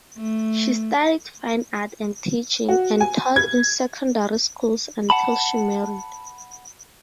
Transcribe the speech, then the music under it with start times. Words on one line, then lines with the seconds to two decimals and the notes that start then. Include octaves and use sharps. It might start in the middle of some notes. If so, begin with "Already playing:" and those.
She studied fine art and teaching, and taught in secondary schools until she married.
0.18 A3
2.68 F#4
3.00 G#5
3.36 G#6
5.10 F#5 A5 B5